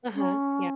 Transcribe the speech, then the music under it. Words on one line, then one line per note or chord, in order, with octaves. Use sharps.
Uh-huh, yeah.
C#4